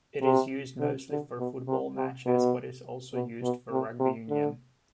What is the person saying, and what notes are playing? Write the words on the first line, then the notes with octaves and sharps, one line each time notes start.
It is used mostly for football matches, but is also used for rugby union.
C3
D3
D3
B2
C3
C3
B2
B2
B2
C3
C3
D3